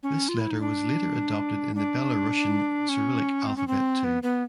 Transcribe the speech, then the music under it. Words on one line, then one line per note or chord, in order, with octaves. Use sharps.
This letter was later adopted in the Belarusian Cyrillic alphabet too.
C#4
F4
E4
D#4
D4
D4
C#4
C4
C#4
C4
B3
B3